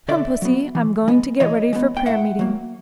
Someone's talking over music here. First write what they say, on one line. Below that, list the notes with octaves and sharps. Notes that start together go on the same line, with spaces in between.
Come, pussy, I'm going to get ready for prayer meeting.
D3 D5 E5
F#3 B3
E3
G#3 B3
E3 C#5 D#5
G#3 B3
G5
A2 E5 F#5
F#3 A#3